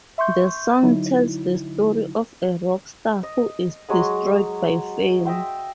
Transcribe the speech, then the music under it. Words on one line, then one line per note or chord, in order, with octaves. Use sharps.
The song tells the story of a rock star who is destroyed by fame.
E5 C6 C#6 G6
D3 F#3 D#4 E4
D#5
F#3 G#3 C#5 D#6
D#5 E5 G5 C6